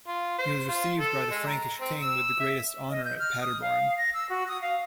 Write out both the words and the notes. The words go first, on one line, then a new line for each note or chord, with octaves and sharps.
He was received by the Frankish king with the greatest honour at Paderborn.
F4
C5
F4
A4
G#3
A#5
C4
E6
E5
D#5
G6
F6
D#6
F5
A#6
E6
F#4
D#6
F5